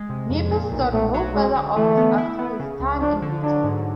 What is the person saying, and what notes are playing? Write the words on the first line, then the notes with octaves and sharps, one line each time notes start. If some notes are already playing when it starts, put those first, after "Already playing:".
Nepos sought no further office after his time in Britain.
Already playing: G#3
C3
F2
A#2
B1
B1 A3
F#3
F#3 G#3
D3
E3 A3
B3
E4
B3
C#3
C#2
F3 D4
D3
F#3 D4
G#2